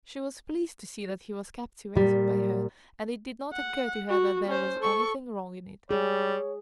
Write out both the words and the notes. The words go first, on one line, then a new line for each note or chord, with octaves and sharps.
She was pleased to see that he was captivated by her and it did not occur to her that there was anything wrong in it.
A#2 G3
F#5
F#4
C#4 C5
A4 C#6
G3 G#4 C#5